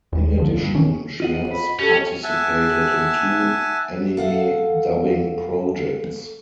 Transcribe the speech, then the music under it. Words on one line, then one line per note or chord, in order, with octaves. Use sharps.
In addition, she has participated in two anime dubbing projects.
D#2
C#2 D3 F3
G2
D#3 C#4
F4 D#5 F#5
B5
C#4 G4 A4
E5 F#5 G#5 A5
A4 F5 F#5